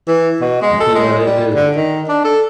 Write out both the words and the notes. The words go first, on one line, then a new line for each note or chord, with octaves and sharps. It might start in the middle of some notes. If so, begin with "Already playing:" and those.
Yeah, they do.
E3
B2
G#3
A4
G#3
G3
D3
D#3
D4
A4